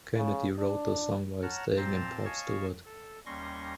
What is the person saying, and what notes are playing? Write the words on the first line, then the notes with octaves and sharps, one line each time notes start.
Kennedy wrote the song while staying in Portstewart.
C#3
D4
C#5 F#5 A5 A#5 F6
A#2 C4 C5 A5 A#5 A6
C#5 D#5 F5 G#5 A5 C#6
A4
D#2 G3 C#4 C6 C#6 A#6